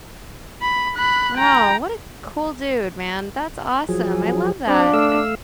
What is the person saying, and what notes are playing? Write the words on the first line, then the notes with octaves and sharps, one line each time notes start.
Wow, what a cool dude, man. That's awesome, I love that. And
B5
B5 F#6
G5 A#5
F3 F#3 G#4
C4 D4
A3 F5 E6